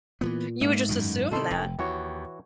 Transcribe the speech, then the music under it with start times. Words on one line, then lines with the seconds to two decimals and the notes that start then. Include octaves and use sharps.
You would just assume that.
0.21 A#2 E3 F#3 B3
0.61 G#2 A#3 E5
0.89 F#2 A2 D#3
1.31 C3 D#3 A3 E4 A4 D#5 C6
1.51 F1 G5
1.79 D#2 E3 F#4 C#5